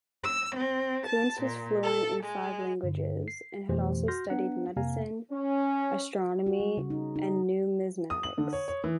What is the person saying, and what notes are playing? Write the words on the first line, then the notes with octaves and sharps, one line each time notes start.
Kunze was fluent in five languages and had also studied medicine, astronomy and numismatics.
E6
C4
A5
A#2
A4
G#3
G2 D3
C7
F2 B2 E3 A3 G4 C5
F#4 C6 F6 G6 A#6
B3 D4 F#5 A#5
F2 C3 A#3 F5 G#5 A#5
C#4
F#4
G3
C#3
D#4
D#4
D#6
F#7
D3
C#5
C#5
E3